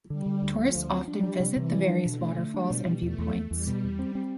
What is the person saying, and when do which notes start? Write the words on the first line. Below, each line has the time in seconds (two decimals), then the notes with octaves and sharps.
Tourists also often visit the various waterfalls and viewpoints.
0.10 D3 G3
0.26 D3
0.42 D2
0.59 F3 A3
0.75 D2
0.92 C4
1.08 G3 D4
1.23 D4
1.40 C3
1.56 C3 E3
1.73 G3
1.89 D4
2.05 B2 D3
2.21 A3
2.37 A3
2.54 G3 D4
2.70 B2
2.86 B2
3.02 E2 A3
3.18 E2
3.35 E2
3.51 E2 G3
3.67 B2
3.84 E2
3.99 C4
4.15 C4